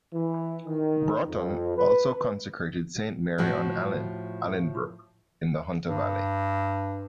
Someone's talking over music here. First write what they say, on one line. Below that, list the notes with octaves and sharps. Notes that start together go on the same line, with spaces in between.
Broughton also consecrated Saint Mary on Allyn, Allynbrooke, in the Hunter Valley.
E3
D#3
F2
B4
A2 F3 F#4
G2